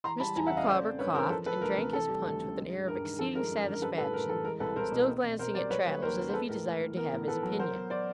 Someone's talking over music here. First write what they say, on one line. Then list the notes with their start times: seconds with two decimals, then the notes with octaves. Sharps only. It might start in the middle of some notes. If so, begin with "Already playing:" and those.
Mr. Micawber coughed, and drank his punch with an air of exceeding satisfaction--still glancing at Traddles, as if he desired to have his opinion.
0.04 E3 A#5 C6
0.20 G3 A5 B5
0.36 E2 G#5 A#5
0.47 E5 F#5
0.52 C#3
0.57 D#5 F5
0.67 A3 C5 D5
0.84 C4
0.98 G2 B4 C#5
1.15 E3 A#4 C5
1.30 F3 A4 B4
1.46 A3 A4 B4
1.62 D2 A#4
1.77 C3
1.93 E3 A4
2.09 G3
2.25 D2
2.40 C#3
2.56 G#3
2.72 G2
2.87 G2 A#4
3.03 D#3
3.19 F3 A4
3.35 G#3 A#4
3.50 F#2
3.67 D3
3.72 A#4
3.81 G3 A4 B4
3.97 A2 A4 B4
4.13 A2 A#4
4.29 E3 A4
4.45 G#3 A#4
4.60 C2 A4 B4
4.76 C2 A#4 C5
4.92 B2
5.08 C4
5.23 B2
5.39 B2 A#4 C5
5.55 G3 C5 D5
5.70 F#3 B4 C#5
5.86 A#3 B4 C#5
6.02 D#2 A#4 C5
6.18 C#3
6.29 C5
6.34 G#3 A4 B4
6.49 A2 A#4
6.65 A2
6.81 E3
6.96 B3 A#4
7.12 A2
7.28 A2 A4 B4
7.43 F#3
7.59 F#3 A#4 C5
7.75 B3
7.90 C5 D5